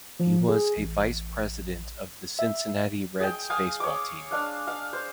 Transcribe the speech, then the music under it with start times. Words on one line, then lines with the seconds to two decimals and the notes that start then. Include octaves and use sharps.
He was a vice president of the Cincinnati Reds baseball team.
0.20 F3
0.49 G#4
0.77 A1
2.39 E5
3.20 G#4 G5
3.50 F5 G#5 D#6
3.80 C#5 D6
4.31 D4 F5
4.67 F5
4.93 C5